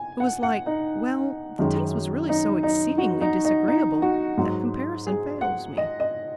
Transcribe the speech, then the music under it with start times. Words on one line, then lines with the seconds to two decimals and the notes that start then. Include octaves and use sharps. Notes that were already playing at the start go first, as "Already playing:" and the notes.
It was like--well, the taste was really so exceedingly disagreeable that comparison fails me.
Already playing: G#5
0.20 F#5
0.43 F#5
0.66 D#4
1.59 F#2 D#3 G#3
2.29 D#4
2.63 D#4
2.98 F#4
3.21 D#4
3.45 D#4
3.68 D#4
4.02 F#4
4.37 G#2 F#3
5.07 G#4
5.41 F#5
5.77 D#5
6.00 D#5